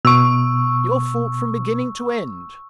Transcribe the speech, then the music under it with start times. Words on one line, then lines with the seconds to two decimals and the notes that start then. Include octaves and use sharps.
'Your fault from beginning to end.'
0.05 B2 C#6 E6